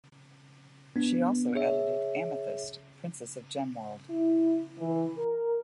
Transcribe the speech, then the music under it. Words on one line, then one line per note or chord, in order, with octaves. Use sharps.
She also edited "Amethyst, Princess of Gemworld".
B3 D4
G#4 C#5 E5
E4
E3
A#4